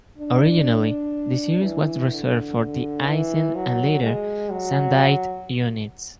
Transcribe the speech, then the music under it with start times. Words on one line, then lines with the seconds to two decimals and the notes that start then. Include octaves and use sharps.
Originally the series was reserved for de-icing and, later, sandite units.
0.18 D4
1.62 E3
2.11 D3
2.59 D3
3.06 E3
3.55 F#3
4.03 G#3
4.51 F#3